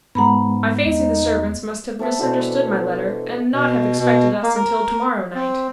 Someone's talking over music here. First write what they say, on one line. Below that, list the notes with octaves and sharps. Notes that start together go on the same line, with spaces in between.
"I fancy the servants must have misunderstood my letter, and not have expected us until to-morrow night."
G#2 G#3 B3 F#5 A#5 B5
E2 D#4
A3 C4 A4 E5
B2 D3 E3 A4
B2
B2
A#3
A#4
C4